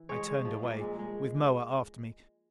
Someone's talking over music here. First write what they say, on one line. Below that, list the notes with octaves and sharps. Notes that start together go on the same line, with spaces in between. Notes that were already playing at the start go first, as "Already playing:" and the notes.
I turned away, with Moa after me.
Already playing: E3
G#3 C#5
G#3
F3
A#2
G#3
G#3